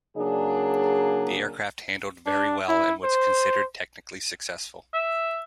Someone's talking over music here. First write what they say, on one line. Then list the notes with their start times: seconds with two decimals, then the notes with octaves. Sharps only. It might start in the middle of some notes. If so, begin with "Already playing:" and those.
The aircraft handled very well and was considered technically successful.
0.16 C#3 F#3 A#3 D4 G#4
2.26 D4
2.68 E4
3.04 C5
4.94 E5